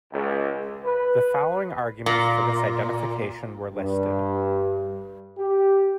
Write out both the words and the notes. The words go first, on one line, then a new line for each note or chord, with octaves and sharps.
The following arguments for this identification were listed.
C#2
B4
A#2
G2
G4